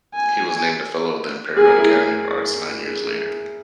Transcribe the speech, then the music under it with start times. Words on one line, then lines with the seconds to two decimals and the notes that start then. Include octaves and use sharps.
He was named a fellow of the Imperial Academy of Arts nine years later.
0.15 G#5
1.57 G#4 G#5
1.68 A#4
1.78 E4 G#4